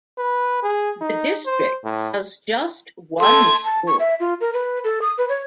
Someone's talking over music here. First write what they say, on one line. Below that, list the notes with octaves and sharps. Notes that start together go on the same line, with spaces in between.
The district has just one school.
B4
G#4
D#4
C5
A2
A3 A4 C6 G#6
A5
C#6
E5
F4
A#4
B4
A4
D#6
B4
C#5